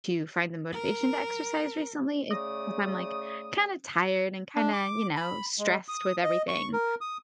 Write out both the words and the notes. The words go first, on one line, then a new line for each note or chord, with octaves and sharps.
to find the motivation to exercise recently is because I'm, like, kinda tired and kinda, you know, stressed with everything,
A#4
C#3 A3 D5 D#6
D4
D6
B5
G#3
D#6
D#5
C#6
A#4
D#6